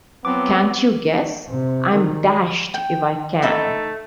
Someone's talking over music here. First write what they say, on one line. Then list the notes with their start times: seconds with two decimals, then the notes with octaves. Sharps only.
'Can't you guess?' 'I'm dashed if I can.'
0.25 F3 F#3 B3 C4 D6
1.48 C3
1.92 D#3
2.74 G5
3.42 A3 D#4 E5 B5